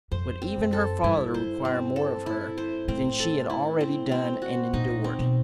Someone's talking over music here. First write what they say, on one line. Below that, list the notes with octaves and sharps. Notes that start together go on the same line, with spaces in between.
Would even her father require more of her than she had already done and endured?
F2 C5
C4
F#2
A4
G2 E4
C5
C4
A4
E4
C5
A2 C4
A4
E4
C4
C4
F#4
A#2 D#4
C4
B2